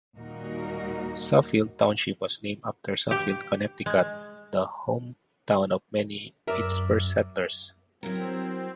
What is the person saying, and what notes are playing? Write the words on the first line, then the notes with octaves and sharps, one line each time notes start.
Suffield Township was named after Suffield, Connecticut, the hometown of many its first settlers.
D#2 A#2 G3 D#4 F#4 A#4
G4
G#3
F#2 A#4 D5 E5
F#3 C4 E4 A#4